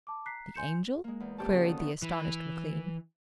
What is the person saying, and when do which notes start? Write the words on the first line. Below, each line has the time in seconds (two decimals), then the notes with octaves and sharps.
"The Angel?" queried the astonished McLean.
0.07 A5 D6
0.26 A#5 F#6 B6 C7
0.54 G#5 C6 G6 C#7 E7
1.04 G#3 A#3
1.20 E2
1.38 A#2 C4 G4 C#5 D5 A5
1.50 C#3 C4 C#4 D#4 F#4 A4
1.64 D#2 D#3 A5 D#6
1.79 E3 B3 D4 D#4
2.02 E3